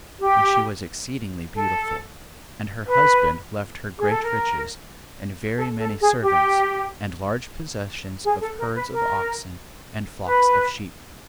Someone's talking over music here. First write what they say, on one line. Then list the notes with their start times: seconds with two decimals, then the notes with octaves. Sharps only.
And she was exceedingly beautiful, and her husband left her great riches, and very many servants, and large possessions of herds of oxen, and flocks of sheep.
0.20 G4
1.54 A4
2.88 B4
3.99 G#4
4.10 A4
4.22 A#4
5.57 A4
5.79 A4
6.01 G#4
6.23 G4
8.25 G#4
8.41 A4
8.58 A#4
8.74 B4
8.92 A#4
10.25 B4